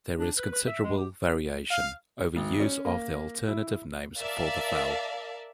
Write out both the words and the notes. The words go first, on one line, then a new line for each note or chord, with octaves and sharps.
There is considerable variation over use of the alternative names for the fell.
D4
B4
B4
E5
G#3
G4
F5
G#1
C#4
A#3
E4
A#4 D5 E5 F5 A5